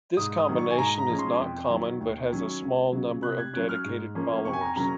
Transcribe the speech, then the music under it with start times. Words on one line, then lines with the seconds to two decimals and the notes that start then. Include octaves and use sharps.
This combination is not common but has a small number of dedicated followers.
0.17 G#2 D#6
0.37 D#6
0.48 D#3 F#3 A#3
0.58 C#6
0.70 G#5
0.78 G#2 A#5
0.98 A#5
1.09 F3 G#3 C#4
1.19 C6
1.39 F2
1.70 D#3 F#3
2.01 D#2
2.31 D#3 F#3 C#4
2.62 C#2
2.92 C#3 F#3
3.23 C3 F#6
3.38 G#6
3.53 F#3 C#4 F#6
3.69 F6
3.85 G#2
4.15 F3 A#3 C#4
4.45 F2 C#6
4.53 G#5
4.61 A#5
4.76 C#3 F#3 A#3 C#4 A#5